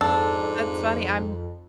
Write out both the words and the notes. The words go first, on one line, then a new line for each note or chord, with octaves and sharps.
That's funny, I'm
F2 G#2 D4 A4 E6